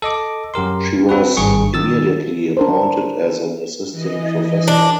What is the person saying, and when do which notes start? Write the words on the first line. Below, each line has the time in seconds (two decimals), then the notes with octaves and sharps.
She was immediately appointed as an Assistant Professor.
0.02 A4 D#5 D6
0.54 F#2 G4 A#4 C6
1.09 C4 F#4 B4
1.37 G#1 G2 G#4 C#6
1.74 D#3 E6 A6
2.57 D4 A#4 C5
3.92 E3 D#5
4.68 D4